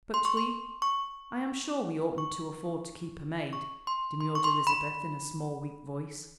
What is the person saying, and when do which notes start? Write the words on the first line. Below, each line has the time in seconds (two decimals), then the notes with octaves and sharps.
"But we--I am sure we oughtn't to afford to keep a maid," demurred Elizabeth in a small, weak voice.
0.14 C6
0.25 C#6
0.37 C6
0.82 C#6
2.18 C#6
3.53 C#6
3.87 C6
4.21 C6
4.35 C#6
4.44 C6
4.67 B5